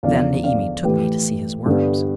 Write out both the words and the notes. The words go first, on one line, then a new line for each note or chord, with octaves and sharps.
Then Niimi took me to see his worms.
E2 D3 F3 D5 F5
D5 F5
A2 E3 A3 G4 B4
G2 D3 G3 B3